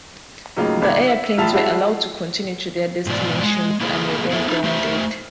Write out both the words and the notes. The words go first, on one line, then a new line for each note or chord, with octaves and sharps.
The airplanes were allowed to continue to their destinations and were then grounded.
A2 C#3 F#3 A#3 D#4 F4
G1 A#2 D#4 D5 G#6
E5 E6
E1 A2 F4 E5 A5 F7
G3 G#3 E4 F#4 A5 C7
G#2 B2 E3 F4 D5
G#3
A#3 E4 F4 G#4 A4
B3 E4 G#4 A4 E5
D#4 F4
A3 G4 C5 E5